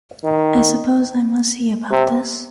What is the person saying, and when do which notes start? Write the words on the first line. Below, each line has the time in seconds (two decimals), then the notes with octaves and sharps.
I suppose I must see about this.
0.24 D#3
1.91 C3